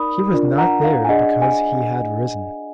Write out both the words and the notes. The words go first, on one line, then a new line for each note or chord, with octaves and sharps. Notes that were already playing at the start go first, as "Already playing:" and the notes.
He was not there because he had risen.
Already playing: D#4 A#4 D5 B5 D#6
D4 F4 A#4 D5
F#5 A#5
F5
G#5
D4 G#4 D5 D#5 F#5
G#5